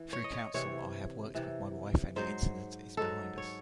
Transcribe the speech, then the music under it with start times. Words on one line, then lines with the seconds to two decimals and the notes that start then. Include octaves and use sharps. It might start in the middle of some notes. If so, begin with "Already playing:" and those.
Through counsel I have worked with my wife and the incident is behind us.
Already playing: E3
0.13 C#5
0.24 D#5
0.34 C#5
0.54 C3 E3 C#5
1.35 C3 E3
2.16 G#2 F#3 C5
2.97 G#2 F#3 A4
3.38 C#5